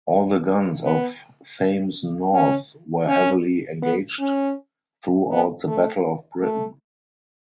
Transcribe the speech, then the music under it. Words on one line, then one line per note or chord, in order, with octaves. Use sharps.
All the guns of Thames North were heavily engaged throughout the Battle of Britain.
B3
C#4
C#4
B3
C#4
B3
A3
A3